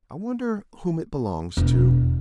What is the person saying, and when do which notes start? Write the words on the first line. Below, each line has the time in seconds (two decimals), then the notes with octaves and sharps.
I wonder whom it belongs to.
1.57 E1